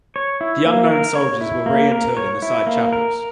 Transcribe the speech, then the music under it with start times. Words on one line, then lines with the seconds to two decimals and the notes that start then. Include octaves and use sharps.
The unknown soldiers were re-interred in the side chapels.
0.16 C#5
0.41 E4
0.66 A#3
0.91 A#4
1.15 C#5
1.41 E4
1.66 A#3
1.92 A#4
2.17 C#5
2.42 E4
2.67 A#3
2.93 A#4